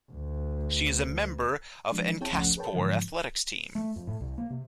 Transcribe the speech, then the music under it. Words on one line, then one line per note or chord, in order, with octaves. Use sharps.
She is a member of Enkaspor athletics team.
D2
F3 G#3 D4
C4 E4 G#4 C#5 G5 A5
G#1 C#2 F3 A3 C#4 F#5
G#4 A#4 B4 C#5 G5 A5
G#2 D3 E3 F3
A3
F2
A2
C2
A#3
C3